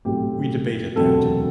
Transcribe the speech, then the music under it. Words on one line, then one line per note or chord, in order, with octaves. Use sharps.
We debated that.
B1 A2 F#3 C4 G4
E1 D2 C3 F#3 C4 A4